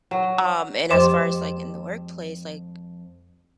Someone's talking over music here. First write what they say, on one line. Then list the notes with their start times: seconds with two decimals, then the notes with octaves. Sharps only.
um, and as far as, like, in the workplace, like,
0.11 F#3
0.91 F2 G#3 G4 C5 C6 D6 E7